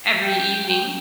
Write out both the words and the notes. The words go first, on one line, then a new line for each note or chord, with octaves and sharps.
every evening.
G5